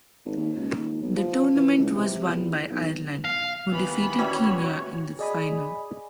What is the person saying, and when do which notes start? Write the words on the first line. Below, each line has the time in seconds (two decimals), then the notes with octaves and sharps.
The tournament was won by Ireland who defeated Kenya in the final.
0.25 G#1
0.37 D#2
0.57 C#2
0.76 D#2
1.01 B1
1.16 F3
1.55 E3
1.77 C#2
1.95 C3
2.28 E2
2.70 B1
3.25 F5
3.71 D#2 E3 B3 B5
4.19 G3 C#4 F#4 C#5 E5
5.19 G#4 D5 D#5 G#5 B5 D#6